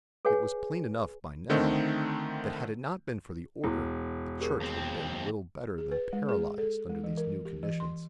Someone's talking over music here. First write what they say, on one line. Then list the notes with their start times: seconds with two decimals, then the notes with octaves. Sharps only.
It was plain enough by now that had it not been for the Order, the Church would have been little better than paralysed under these new conditions.
0.25 G#4 B4 C#5 F#5 G#5
1.49 D3 D#3 A3 C4 D#4
3.64 E1 E4
4.40 G4 G#4 A#4
4.60 D#2 C4
5.78 G#4
5.92 B4
6.13 G#3
6.29 G#4
6.58 A4
6.90 G#3
7.04 E3
7.17 A#4
7.45 G4
7.63 E3
7.80 C6